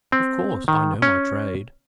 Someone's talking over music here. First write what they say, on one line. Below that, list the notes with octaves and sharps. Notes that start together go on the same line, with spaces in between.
Of course I know my trade.
C4
D#3
C#4